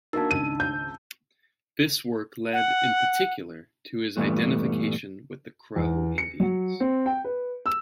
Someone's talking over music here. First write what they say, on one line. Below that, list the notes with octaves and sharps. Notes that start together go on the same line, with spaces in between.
This work led in particular to his identification with the Crow Indians.
A#3 D4 D#4 F#4 A#4 A5 E6
G#1 C#2 D#7
G6
F#5
G2 A#2 E3 G3 A3 B3
E2
C#7
F#3
C4
G5
B4
E6